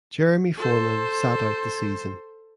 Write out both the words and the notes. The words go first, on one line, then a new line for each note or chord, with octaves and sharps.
Jeremy Forman sat out the season.
A4 C5